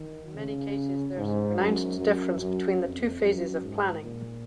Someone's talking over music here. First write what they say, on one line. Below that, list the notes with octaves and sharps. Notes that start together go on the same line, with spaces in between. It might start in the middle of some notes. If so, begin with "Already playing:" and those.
In many cases there is a pronounced difference between the two phases of planning.
Already playing: D#3
C#3
G#2
F#2
F#2
F#2
F2
F#2
G#2
A#2